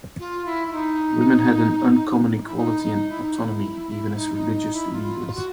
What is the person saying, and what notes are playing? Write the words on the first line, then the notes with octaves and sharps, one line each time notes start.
Women had an uncommon equality and autonomy, even as religious leaders.
F4
E4
E4
D#4
E4
D#4
D#4
E4
D#4
E4
D#4
D#4
D#4
E4
F4
F#4
F4
F#4